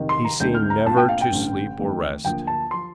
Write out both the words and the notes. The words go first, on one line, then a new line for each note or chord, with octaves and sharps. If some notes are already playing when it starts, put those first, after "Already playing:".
He seemed never to sleep or rest.
Already playing: F1 F2 D#3
C6
A#5
D2 D3 A3 C4 D#4 G6
F6
A#5
A#1 A#2 A3 C4 F4 A5
G5
F5
G5
A1 G2 D3 A3
F2 D#3 A3
D2 D3 F3 A#3 G5
A5
F3 C6